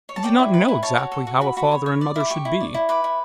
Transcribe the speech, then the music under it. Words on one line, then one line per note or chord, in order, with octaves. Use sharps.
He did not know exactly how a father and mother should be.
C#5
A5
D5 G5
E4
B4
E4
C#5 A5
F#4
A4
F#4
F#4 B5
F#4 B5
C#5
C#5
D5
E4 D6
G4 C#6
E4
D5
E4
B4 D6
E4